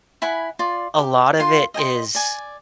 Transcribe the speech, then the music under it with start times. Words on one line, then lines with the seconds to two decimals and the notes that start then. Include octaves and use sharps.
a lot of it is
0.22 E4 F#5 G#5 B5
0.59 F4 D5
0.98 G4
1.40 F4 C6
1.74 D#5 G5 G#5 C6
2.15 D5 G#5